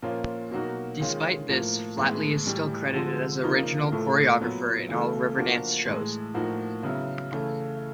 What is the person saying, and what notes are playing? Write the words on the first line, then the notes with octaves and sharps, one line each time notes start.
Despite this, Flatley is still credited as original choreographer in all Riverdance shows.
A#2 F3 A#3 C#4 F4
B2 F#3 A#3 D#4 F#4
D#3 G#3 C#4 F4
A2 F3 A#3
A2 E3 G#3 B3
A2 E3 G3
D3 F3 G#3
C#3 F3 A#3 D#4
A2 F3 A3
A#2 F#3 B3
C#3 E3 A3
F3 A#3 D4 F#4
A2 E3 G#3
A2 F3 A#3 D#4 F#4
C#3 F#3 B3 E4
C#3 E3 A3